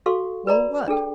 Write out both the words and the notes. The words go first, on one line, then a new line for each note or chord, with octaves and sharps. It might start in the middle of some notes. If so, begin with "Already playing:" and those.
"Well, what?"
F#4 A4 F5 C6 C#6
B4 D5 A#5 B5
D4 G#4 A4 G5